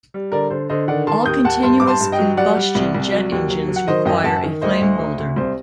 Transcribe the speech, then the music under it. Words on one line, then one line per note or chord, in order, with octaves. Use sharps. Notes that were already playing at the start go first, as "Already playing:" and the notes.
All continuous-combustion jet engines require a flame holder.
G3
D3 A#4 D5
D3 C5
D3 C5 D#5
D#3 D5 F#5
D#3 A5 C6
D#2 D#6 G6
D#2 F#5 A5
G2 A5 C6
G2 D6
A5 C6
G2
D#5 G5
F#3
G3 D5 F#5
G3
C2
C2
F#3
D#2
F#3
F#3
F#5
D#3 C5 D#5
F#2 D#5 G5
F#2 F#5 A5
D#3
D2 C5 D#5
D2
D2
D2
C2 C5